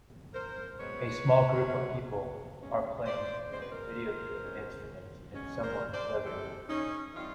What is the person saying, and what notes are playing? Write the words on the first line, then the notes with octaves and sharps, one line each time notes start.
A small group of people are playing video game instruments in someone 's living room.
A#4 C5
B2 G#3 B3 B4 C#5
B2 G#3 B3
B2 G#3 C#4
C5 D5
B2 G#3 C#4 C5
B4
A#4 C5
B2 G#3 C#4
B2 G#3 C#4
A#4 C5
C5 D5
E3 G3 C4 G4 A4
C#4 D#4
E3 G3 C4 D#4 F4